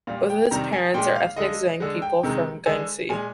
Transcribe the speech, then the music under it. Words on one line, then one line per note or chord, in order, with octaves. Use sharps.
Both of his parents are ethnic Zhuang people from Guangxi.
A#2 G3 F5
G5
C3 D#3 G3 A#5
G#5
A#2 G#3 G5
F5
D3 G#3 D#5
D3 G#3
G5
C3 D#3 G#3
D3 G#3 G#5
A#2 G#3 G#5